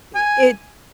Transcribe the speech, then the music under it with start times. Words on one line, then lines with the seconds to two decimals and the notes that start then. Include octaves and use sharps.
i it
0.15 G#5